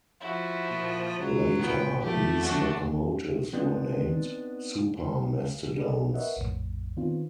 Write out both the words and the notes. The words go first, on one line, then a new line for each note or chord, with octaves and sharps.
Later, these locomotives were named Super Mastodon's.
F3 E4 F#4
A#2
C#2 F#3
A#2 B3 G5
F3 A3 G4
F2 D4 F#4
B3 C4 D4 D#4
D4 G#4 A4 B4 D5 D#5
A#4 B4 C#5 D#5 E5 F#5
A#1 F2 A2
D#3 B3 C4 D4 F4